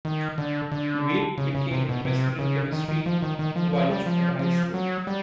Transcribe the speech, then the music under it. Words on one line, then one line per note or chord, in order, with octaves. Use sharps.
Reid became interested in chemistry whilst at high school.
D#3
D3
D3
C#3
C#3
C3
B2
C3
C#3
D#3
D#3
F3
D#3
D#3
F3
F3
G3
F3
F3
F#3
G3